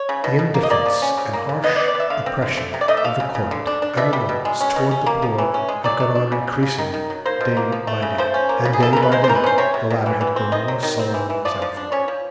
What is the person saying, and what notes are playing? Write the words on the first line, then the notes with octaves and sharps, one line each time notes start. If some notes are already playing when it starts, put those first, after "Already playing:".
The indifference and harsh oppression of the court and the nobles toward the poor had gone on increasing day by day, and day by day the latter had grown more sullen and resentful.
Already playing: C#5
C#3
B2
B2
A#3
D#5
A#3 D5
F3
C#4
C#3
A#3
C#3
B3 D#5
D5
B3
D5
B3
E5
D3 F5
C4
D3
A3
C3
D5
A3 D#5
E5
F3 F5
C#3
C#3
D3
D4
D4
B2 E5
G3
B2
G#3
C#4
B2
C#4
A#3
F3
E3
C#4
G#3
F#3 D5
F#3
D4
C#3
C#3
C#3
D#3
D#3
F#3
A#3 C5
B2
A#3
F3
A3
C#3
F3 C5
C#4
A#3
C#3
G#4
A3 A4
C#3 A#4
B4
G#3 C5
C5
E3 A#4
B4
C#4 C5
C3 C#5
C3
C3
E3
E3
C4
D#3 D#5
F#3
D#3
C4
E3
E3
F3 D5
F3
D4
C#4 C#5
F3